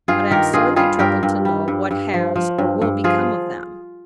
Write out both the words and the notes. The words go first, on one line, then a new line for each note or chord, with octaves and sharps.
But I am sorely troubled to know what has, or will become of them.
G2 F4 G#4
D#3 G4 A#4
G2 F4 G#4
G3 F4 G#4
G2 G4 A#4
G2
G3
G2
G2
F3
F3
G2
G2
F3 F4 G#4